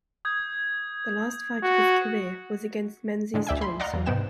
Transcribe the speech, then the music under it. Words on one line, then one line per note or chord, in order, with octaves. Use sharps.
The last fight of his career was against Menzies Johnson.
D#6 G6 G#6
F#4
A2 D3 G#3
D2 D5 E5 G5 G#5
B5 C6
D5 D#5 F5 F#5 A#5 C6
E2
G#2 C3 B3 G5 E7